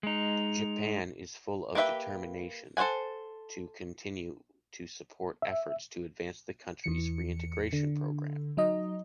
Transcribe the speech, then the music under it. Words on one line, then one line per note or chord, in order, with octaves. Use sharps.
Japan is full of determination to continue to support efforts to advance the country's reintegration program.
G#3 D#4
A#3 G4 B4 E5 G5
A4 C5 C#5 F#5 G#5
E5
E2 E3 C#7
D3
F#3 D#4 D#5